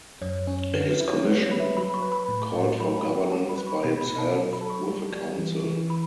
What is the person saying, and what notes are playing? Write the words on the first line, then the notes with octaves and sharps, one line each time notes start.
His commission called for governance by himself, with a council.
F#2 C#5
C#4
D3 B4
B4
E4
C#5
G3 B4
C#5
B4
E5
F#3 B5
C#6
B4
B5
A2
A2
F#3 B5
A5
F#3
G5
G3 A5
B5
B4
C#6
B2 B5
B5
B2
A5
F#3 A5
B5
A4
C#6
G3
G3
E3
E3
B5